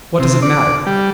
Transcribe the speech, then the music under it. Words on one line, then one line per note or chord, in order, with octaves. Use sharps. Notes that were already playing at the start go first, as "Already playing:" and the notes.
What does it matter?
C3
D5
G3